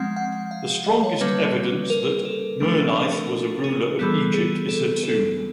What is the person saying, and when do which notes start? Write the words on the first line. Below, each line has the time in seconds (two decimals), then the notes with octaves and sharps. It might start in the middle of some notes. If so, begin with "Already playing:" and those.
The strongest evidence that Merneith was a ruler of Egypt is her tomb.
Already playing: F3 G#3 C4 F#5
0.16 F#5
0.51 F5
0.86 D#5
1.04 C#5
1.21 D3 G3 A#3 C#4 B4
1.90 A#4
2.25 A4
2.60 F3 A3 D4
2.95 A#4
3.12 A#4
3.64 G#4
3.99 E3 G3 B3 A4
4.34 G#4
4.69 A4
5.04 A4